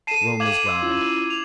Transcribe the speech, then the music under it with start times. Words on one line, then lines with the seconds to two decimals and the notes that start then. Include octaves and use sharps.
Rome is gone.
0.07 A4 A5 C7 D#7 E7
0.40 F5 G5 D6 G#6 F#7
0.66 C6 E6
0.82 C#4 E4 F4
1.30 F7